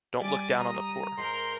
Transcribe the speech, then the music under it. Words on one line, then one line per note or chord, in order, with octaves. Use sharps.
Don’t look down on the poor.
G3 G#5 D6 A6
A#5 D#6
G#2 A#4 C6 G6